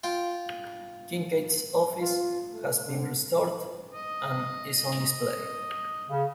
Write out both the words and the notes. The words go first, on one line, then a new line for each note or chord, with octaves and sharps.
Kinkaid's office has been restored and is on display.
F4 G5
F4
A3
D3
D#5
C#3